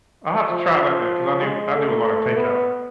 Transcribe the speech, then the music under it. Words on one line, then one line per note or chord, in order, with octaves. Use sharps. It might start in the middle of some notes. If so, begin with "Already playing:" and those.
I'll have to try that then 'cause I do I do a lotta takeout.
F3
G#3
A3
B3